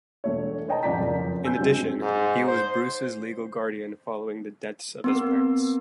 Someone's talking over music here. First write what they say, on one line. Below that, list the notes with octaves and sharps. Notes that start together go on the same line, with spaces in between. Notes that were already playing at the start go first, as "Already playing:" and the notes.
In addition, he was Bruce's legal guardian following the deaths of his parents.
E1 A3 C#5
B4 C#5 D#5 G5 A5 A#5
A1 F2 D5 A#5 G6 B6
F#1 F2
G#5 E6 G6
G2 C3 F#3 G#3 C4
G#2
C5
B3 C4 A#4